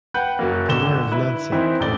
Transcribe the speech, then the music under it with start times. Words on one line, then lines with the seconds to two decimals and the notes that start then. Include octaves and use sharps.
Then where is Nancy?
0.14 B4 F#5 G5 G6
0.39 F#1 F#3 A#3
0.68 G#1 D3 E7 G7
1.12 E4 B4
1.52 D#3 E3 C4 E4
1.80 D#1 A#1 A2 D5 G7